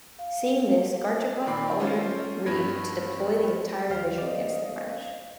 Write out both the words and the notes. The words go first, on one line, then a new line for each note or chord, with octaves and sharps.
Seeing this Gorchakov ordered Read to deploy the entire division against the French.
F5
A#2 D#3 D5 B5 D6 C7
A3 C#4 F4 A4 C5
G2 F3 B3 B5 G#6 A#6
D#2 C5 F5 F6
D5 D#5